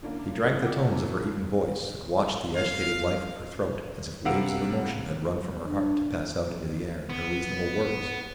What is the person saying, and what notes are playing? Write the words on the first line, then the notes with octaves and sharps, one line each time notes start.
He drank the tones of her even voice, and watched the agitated life of her throat, as if waves of emotion had run from her heart to pass out into the air in her reasonable words.
D3 A#3 C#4 D4 E4
G3 G#3 B3 C4 E4 F#4
F#5 G5 D6 E6
A2 C3 E3 F#3 A3
G2 F3 G#3
F5
C3 G3 F5 F#5 E6 D7
D4
B3